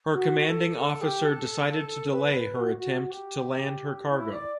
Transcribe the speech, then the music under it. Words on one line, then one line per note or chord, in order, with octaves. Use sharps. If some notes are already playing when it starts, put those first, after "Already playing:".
Her commanding officer decided to delay her attempt to land her cargo.
F#4
A4
A4
G4
A4
B4
B4
F#4
F#4
G4
E4
D5